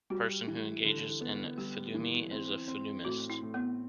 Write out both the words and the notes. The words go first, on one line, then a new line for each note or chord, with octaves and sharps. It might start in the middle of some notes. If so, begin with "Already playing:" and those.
A person who engages in phillumeny is a "phillumenist".
G3 F#4
E3
D3
B3
G3 G4
E3
C4
C4
A2 F#4
E4
A2
B3